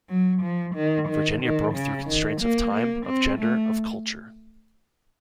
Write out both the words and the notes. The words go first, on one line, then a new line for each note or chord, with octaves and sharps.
Virginia broke through constraints of time, of gender, of culture.
F#3
F3
D#3
D#3
D#3
C#3
D#3
A#3
A#3
C4
A3